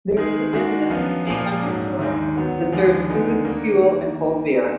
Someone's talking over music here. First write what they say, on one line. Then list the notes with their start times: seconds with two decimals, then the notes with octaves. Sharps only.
There is a business May Country Store that serves food fuel and cold beer.
0.17 D#3 G#3 D#4 G#4
0.53 D#3 G#3 D4 F#4
0.90 F#2 F3 B3 F4
1.26 A#2 F3 A#3 F4 G#4
1.62 G#2 F#3 D4
1.99 D#2 D#3 G#3
2.36 D3 F#3 B3
2.72 D#2 D3 F3 G#3
3.09 D2 D3 G#3 B3 D#4
3.44 D#3 A#3 D4